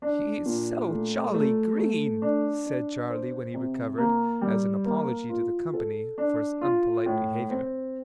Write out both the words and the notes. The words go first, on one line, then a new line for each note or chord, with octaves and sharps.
'He is so jolly green!' said Charley when he recovered, as an apology to the company for his unpolite behaviour.
D4
A#2
A3
A3
A3
D4
D4
C5
C3
A#3
G3
A#3
F4
A4
D4
F4
A2
C4